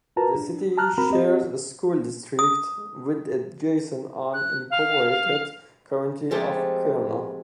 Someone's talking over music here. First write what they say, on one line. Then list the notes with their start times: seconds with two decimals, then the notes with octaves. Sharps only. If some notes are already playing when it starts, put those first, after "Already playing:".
The city shares a school district with the adjacent unincorporated community of Kiona.
0.16 F4 F#4 A#4 B4 A5 A#5
0.36 D4
0.77 A5 A#5 F6 F#6
0.98 C4 F#4 A#4 A#5 B5
1.10 C4 G4 D#5
2.39 D#6
4.33 F#6
4.70 F5
6.31 F3 G#3 A3 C4 D#4 G4